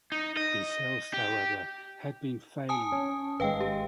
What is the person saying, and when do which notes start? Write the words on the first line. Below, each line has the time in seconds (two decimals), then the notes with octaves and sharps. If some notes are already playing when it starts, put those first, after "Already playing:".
His health, however, had been failing.
0.12 D#4
0.37 D#5
1.14 G4
2.69 G#5 A5 D#6
2.92 C#4
3.40 G#1 G#3 B4 F5 G5
3.60 G4